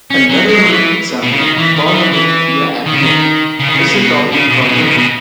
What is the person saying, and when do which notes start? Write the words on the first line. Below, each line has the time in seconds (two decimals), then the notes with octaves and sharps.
Another Roman example, found on the Via Appia, is the Townley Caryatid.
0.10 C#4
0.30 F#3
0.48 G#3
0.65 E3
1.22 B2
1.31 C#3
1.39 D#3
1.57 E3
1.75 D#3
1.86 D#3
1.94 E3
2.12 E3
2.86 D#3
2.93 C#3
3.02 D#3
3.60 C#3
3.67 D#3
3.74 C#3
3.88 C#3
3.95 B2
4.33 C#3
4.51 B2
4.61 C#3
4.69 B2
4.79 D#3
4.87 C#3
4.97 B2